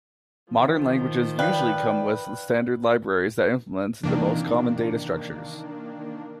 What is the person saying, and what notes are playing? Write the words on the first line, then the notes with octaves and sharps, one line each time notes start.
Modern languages usually come with standard libraries that implement the most common data structures.
D#3 F3
B4 D5 F5 G5
C3 D#3 E3 A#3 D4